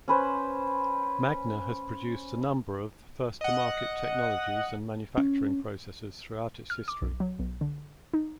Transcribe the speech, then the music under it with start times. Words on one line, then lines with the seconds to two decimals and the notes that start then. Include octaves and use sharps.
Magna has produced a number of first-to-market technologies and manufacturing processes throughout its history.
0.08 C#4 B4 C5
3.41 D#5 F#5
5.17 C#4
6.70 F6
6.88 D6
7.02 B1
7.20 F#3
7.39 B1
7.61 D3
8.14 D#4